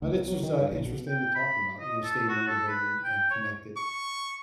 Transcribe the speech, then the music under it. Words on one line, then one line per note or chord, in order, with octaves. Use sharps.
Uh, this was, uh, interesting to talk about, you know, staying motivated and and connected,
D2
B1
F#3
D#3
G2
A#1
B2
G5
B5
D#5
A4
F#4
A4
B4
G5
C#5
C#6